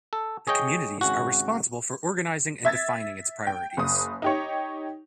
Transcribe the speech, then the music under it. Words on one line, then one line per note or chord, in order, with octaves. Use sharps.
The communities are responsible for organizing and defining its priorities.
A4
G#4 C#5 D#5 G5
G#1 C#3 C#4 F#4
E5 G#6 A6
G5
F#1 D#6
D#4 G4 C#5